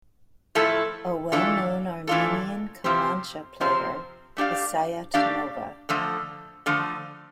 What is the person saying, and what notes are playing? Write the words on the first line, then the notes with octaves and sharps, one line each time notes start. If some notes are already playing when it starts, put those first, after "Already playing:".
A well known Armenian kamancha player is Sayat-Nova.
A2 F3 A3 E4 A4
E3 A3 D4 F4 A4
E3 A3 D4 F4 A4
C3 F3 C4 G4 C5
C3 F3 C4 G4 C5
A3 D4 G4 D5 F5
A3 D4 G4 D5 F5
D3 F3 A3
D3 F3 A3